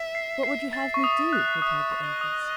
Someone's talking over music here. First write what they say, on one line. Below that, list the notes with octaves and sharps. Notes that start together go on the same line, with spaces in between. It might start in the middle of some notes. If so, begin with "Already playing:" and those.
"What would you have me do?" replied the ogress.
Already playing: E5
C7
C7
E5 A6
C#6
D#6
F#6
E5 D#6
C#6
D#5
D#6